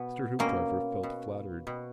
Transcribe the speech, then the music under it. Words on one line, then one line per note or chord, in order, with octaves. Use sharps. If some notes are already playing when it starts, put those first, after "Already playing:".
Mr. Hoopdriver felt flattered.
Already playing: B2 B3
B2 A#3 C#4
B2
B2